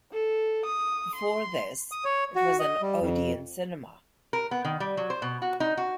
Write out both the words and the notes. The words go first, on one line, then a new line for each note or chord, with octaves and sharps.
Before this, it was an Odeon cinema.
A4
D#6
C6
D#6
C#5
F#4
D#5
G3
F2
A#4
B3
D#3
G3
F#3
C5
B2
F#4
D#4
F#4